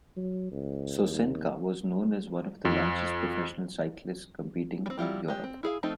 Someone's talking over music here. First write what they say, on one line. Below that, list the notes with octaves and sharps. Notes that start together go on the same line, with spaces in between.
Sosenka was known as one of the largest professional cyclists competing in Europe.
F#3
C#2
D#2
F2
G3 C4
F#3 G3 E4 F4 G4
G#3 G4
C4
E4 G#4 F5
F3 A3 C4 D#4 F4